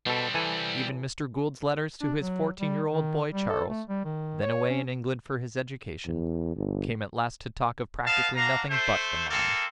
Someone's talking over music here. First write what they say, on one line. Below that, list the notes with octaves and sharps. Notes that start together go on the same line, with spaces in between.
Even Mr. Gould's letters to his fourteen-year-old boy Charles, then away in England for his education, came at last to talk of practically nothing but the mine.
B2 G3 C4 A4
E3 A4 G#5
D4
F#3
G3
D#3
G3
A4
A3
G3
D#3
C#5
C#4
E2
G1
B3 D#4 F5 A5
D4 F#4 F5 A#5
A3 C5
A#3 C4 A4